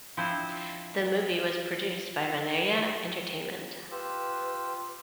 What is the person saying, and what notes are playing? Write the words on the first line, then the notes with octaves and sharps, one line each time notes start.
The movie was produced by Bandeira Entertainment.
F3 C4 D4 E4 C5
F4 G4 B4 E6